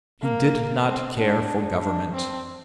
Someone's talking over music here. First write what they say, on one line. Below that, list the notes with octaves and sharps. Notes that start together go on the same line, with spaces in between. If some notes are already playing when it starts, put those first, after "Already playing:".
He did not care for government.
A#3
C4
D4
D4
C4